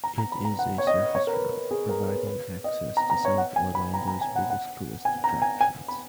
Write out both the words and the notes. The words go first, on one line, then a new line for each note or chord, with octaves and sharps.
It is a surface road providing access to some of Orlando's biggest tourist attractions.
A#5
A#5
B5
A#5
F#5
C#5
D#5
C#5
A#4
B4
B4
G#4
A#4
B4
B4
D#5
A#5
A#5
C#5
F#5
G#5
B5
A#5
A#5
G#5
F#5
F#5
G#5
A#5
G#5
G#5
B5